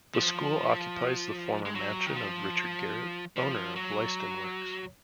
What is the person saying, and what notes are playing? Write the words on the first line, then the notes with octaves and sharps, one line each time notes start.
The school occupies the former mansion of Richard Garrett, owner of Leiston Works.
F3
G#3
F#3
D#3
F3
F3
F#3